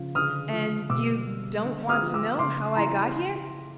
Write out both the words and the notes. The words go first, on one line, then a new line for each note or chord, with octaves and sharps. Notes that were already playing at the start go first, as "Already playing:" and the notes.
"And you don't want to know how I got here?"
Already playing: C#3 F3
D3 D#6 F6
F3
B2 D6 E6
G3
D3
D#6 F6
F3
D6 E6
C#3 C6 D6
E3 A#5 C6